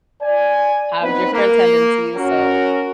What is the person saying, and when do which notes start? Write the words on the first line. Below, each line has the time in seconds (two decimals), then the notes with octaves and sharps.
have different tendencies, so,
0.22 D5 G#5
1.02 B3 C4 D#4 B4
1.32 A#3
2.16 C#4 F#4 A#4